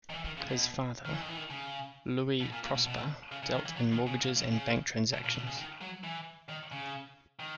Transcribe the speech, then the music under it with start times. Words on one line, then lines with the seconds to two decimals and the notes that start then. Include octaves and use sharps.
His father, Louis-Prosper, dealt in mortgages and bank transactions.
0.10 D#3
0.14 E3
0.25 D#3
0.37 C#3
0.48 B2
1.05 D#3
1.13 E3
1.21 D#3
1.29 E3
1.37 D#3
1.50 C#3
2.41 B2
2.52 A#2
2.63 A#2
2.75 B2
2.87 B2
3.32 C#3
3.43 C#3
3.54 D#3
3.66 E3
3.77 F#3
3.92 D#3
4.07 C#3
4.22 A#2
4.37 B2
4.52 C#3
5.13 B2
5.24 A#2
5.35 B2
5.47 C#3
5.58 D#3
5.81 F#3
6.04 E3
6.49 D#3
6.72 C#3
7.40 D#3